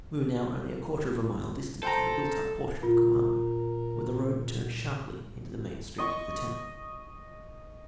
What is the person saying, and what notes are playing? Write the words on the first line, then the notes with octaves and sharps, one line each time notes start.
We were now only a quarter of a mile distant from the built-up portion of Coamo, where the road turned sharply into the main street of the town.
A4 C5 G5 A#5
A#2 F4 A#4
D#5 C#6